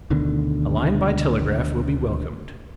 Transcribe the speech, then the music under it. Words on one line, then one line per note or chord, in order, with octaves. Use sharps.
A line by telegraph will be welcomed.
D2 B2 D3 D#3